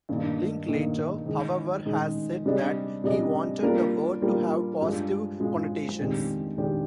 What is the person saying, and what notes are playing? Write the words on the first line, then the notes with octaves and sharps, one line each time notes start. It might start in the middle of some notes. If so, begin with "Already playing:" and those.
Linklater, however, has said that he wanted the word to have positive connotations.
G2 D#3 A#3 D#4
G2 D#3 A#3 D#4
D#3 G#3 D#4 G#4
D#3 G#3 D#4 G#4
C3 G3 D4 G#4 D#5
C3 G3 D4 G#4 D#5
G3 A#3 D4 F4 A#4
G3 A#3 D4 F4 A#4
G2 F3 G#3
G2 F3 G#3
F2 D#3 G#3 D4 G4
F2 D#3 G#3 D4 G4